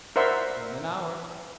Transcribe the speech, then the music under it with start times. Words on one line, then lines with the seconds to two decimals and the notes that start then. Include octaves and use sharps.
"In an hour."
0.16 A#4 C5 D5 E5 F#5 C6